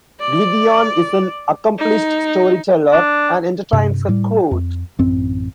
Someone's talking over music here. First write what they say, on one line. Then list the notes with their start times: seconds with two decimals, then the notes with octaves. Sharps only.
Gwydion is an accomplished storyteller and entertains her court.
0.20 D5
1.79 D#4
2.92 D4
3.73 G2 C3
4.08 A2 G3
4.51 F2
4.99 A1 F#2 C4